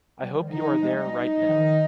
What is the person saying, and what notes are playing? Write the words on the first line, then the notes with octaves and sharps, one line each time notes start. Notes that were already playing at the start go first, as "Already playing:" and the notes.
I hope you are there right now.
G3
F3
D#3
D3 D#4
F3
G#3
G3 D#4
F3
D#3